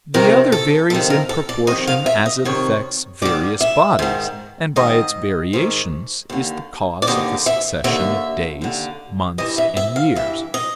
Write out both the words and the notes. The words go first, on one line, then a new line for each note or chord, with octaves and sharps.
The other varies in proportion as it affects various bodies, and by its variations is the cause of the succession of days, months, and years.
F2 C3 D#3 A#4
A4
F2 C3 D#3 A4
A#4
A4
D5
F2 C3 D#3 D#5
F5
E5
D#5
F2 C3 D#3 C#5
G#2 D#3 D5
E5
G#2 D#3
G#2 D#3 D#5
G#2 D#3
D#2 D3
D5
D#2 D3 D#5
E5
D#2 D3 E5
D#2 D3
G2 E3 D#5
E5
E5
F5
G2 E3 E5
D#5